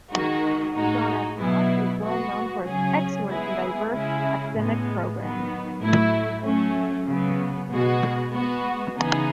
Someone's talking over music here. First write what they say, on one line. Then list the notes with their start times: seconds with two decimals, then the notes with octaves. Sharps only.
John F. Ross is well known for its excellent and diverse academic programs.
0.11 D#3 G#3 D#4 F#4
0.74 A2 G#3 D#4 F#4
1.37 B2 F#3 B3 E4
2.00 G#3 B3 F#4
2.64 C#3 F#3 C#4 G#4
3.27 G#3 B3 E4 G#4
3.90 C#3 G#3 C#4 E4 G#4
4.53 A2 G#3 B3
5.17 D#3 F#3 B3
5.79 A2 F#3 A3 E4
6.42 F#3 A3 C#4
7.06 C#3 F#3 B3
7.69 B2 G#3 B3 F#4
8.32 G#3 B3 F#4
8.96 C#3 E3 B3 D#4 G#4